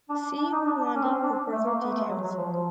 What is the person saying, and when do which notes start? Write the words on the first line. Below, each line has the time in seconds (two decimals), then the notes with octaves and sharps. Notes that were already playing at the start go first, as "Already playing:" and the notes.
See Vanlandi for further details.
0.09 D4
0.38 D4
0.52 D#4
0.67 D4
0.81 D4
0.95 C#4
1.04 C4
1.14 C4
1.23 D4
1.53 A3
1.66 A#3
1.81 B3
1.91 A3
2.00 G#3
2.10 F#3
2.24 F#3
2.38 F3
2.51 F3